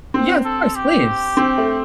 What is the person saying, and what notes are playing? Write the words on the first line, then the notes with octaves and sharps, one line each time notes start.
Yeah, of course, please.
C4
A4
G4
C4
A3